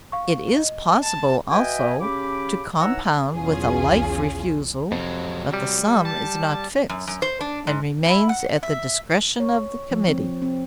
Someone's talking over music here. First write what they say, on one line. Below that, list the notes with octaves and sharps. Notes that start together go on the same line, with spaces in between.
It is possible also to compound with a life refusal, but the sum is not fixed, and remains at the discretion of the committee.
F5 C#6
D#5
A5
F#4 B4 D#5 E5 G5 G#5
C#3 C#4 G4 B5 D6
E3 D#4 C#5 F#5 A#5 E6
B1 E2 C#4 F4 G#4
F2 C3 F#3
G3
A5
F#2
F#2
C5
D4
G#2
E4
F#5
E5
C#5
F3
C4
F3
C4